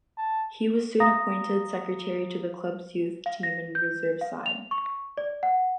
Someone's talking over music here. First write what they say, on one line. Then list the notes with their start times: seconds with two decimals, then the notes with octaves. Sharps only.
He was soon appointed secretary to the club's youth team and reserve side.
0.18 A5
1.00 F5 A#5 D#6 A#6
3.26 F5
3.43 A#6
3.75 G6
4.21 F5
4.46 F7
4.71 C#6
5.18 D5
5.43 F#5